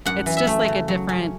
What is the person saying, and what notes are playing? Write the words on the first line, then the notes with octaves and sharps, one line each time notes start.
it's just, like, a different
F#2 F#5
E3
E5
A3
C#3
F#3
C#4